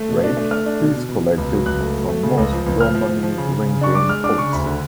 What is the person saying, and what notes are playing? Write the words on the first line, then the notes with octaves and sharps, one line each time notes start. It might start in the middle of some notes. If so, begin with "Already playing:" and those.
Rake is collected from most real money ring game pots.
Already playing: A3
B2
D4
A3
A3 F6
D4
B2
B2
B2
B2
C#2
F#3
C#2 F#6
A3
F#3
A3
C#3
C#2
F3
C#2
F3 F6
F3
F3
F3
C#3
C#3
C#3
D4 C#6
G#3 D6
G#3 F6
D4 D6
C#3 C#6
D2 B5
D3